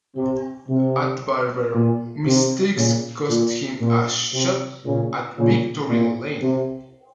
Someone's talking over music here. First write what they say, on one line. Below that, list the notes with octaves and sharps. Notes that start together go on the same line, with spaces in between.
At Barber, mistakes cost him a shot at victory lane.
C3
C3
A#2
C3
A#2 C#3
A#2
A#2
C3
A#2 C#3
A#2 C#3
A#2
C3